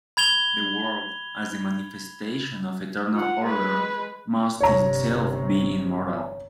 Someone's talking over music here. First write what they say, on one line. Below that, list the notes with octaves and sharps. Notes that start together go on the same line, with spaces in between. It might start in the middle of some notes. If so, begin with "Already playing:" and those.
The world, as the manifestation of eternal order, must itself be immortal.
B5 G#6 F7 G7
F4 F#5
G#3 B4
G1 C3 C#5 A#5